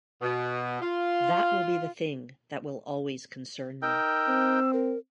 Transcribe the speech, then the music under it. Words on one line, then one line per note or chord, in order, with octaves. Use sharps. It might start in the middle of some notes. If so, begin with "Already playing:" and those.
That will be the thing that will always concern me.
B2
F4
D#4 A#4 G5 E6
C4
A#4